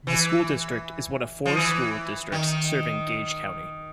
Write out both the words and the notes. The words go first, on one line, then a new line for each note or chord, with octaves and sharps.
The school district is one of four school districts serving Gage County.
E3
F3
E3
D#3